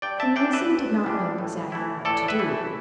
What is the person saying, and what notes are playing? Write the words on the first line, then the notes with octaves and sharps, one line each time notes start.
Finlayson did not know exactly what to do.
G2 D5 G5
E5 A5
E3 G3 D4 D5 G5
B4 E5
G2
E3 G3 D4
A2
E3 A3 E4
A2 A4 D5
B4 E5
E3 A3 E4